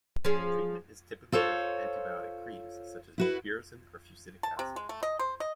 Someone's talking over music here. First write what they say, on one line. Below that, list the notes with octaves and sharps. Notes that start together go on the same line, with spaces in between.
Treatment is typically with antibiotic creams such as mupirocin or fusidic acid.
F3 C#4 G#4
F4 A4 C5 C#5
E4 F#4 B4
A5
C3
G#3
A3
D#5
C5
D#5